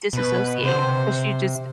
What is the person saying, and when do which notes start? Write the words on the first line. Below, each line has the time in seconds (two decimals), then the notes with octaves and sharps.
disassociate 'cause she just
0.13 B2 B4
0.64 C3 C5
0.71 D3
0.79 C3